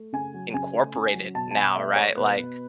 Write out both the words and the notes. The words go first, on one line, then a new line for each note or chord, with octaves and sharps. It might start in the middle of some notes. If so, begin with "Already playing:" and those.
incorporated now, right? Like,
Already playing: A3
C#3 G#5
F#3
C#3 G#5
A3
C#3
F#3
B2 A5
A5
B2 G#5
A3 E5
A3 C#5
B2 B4
B2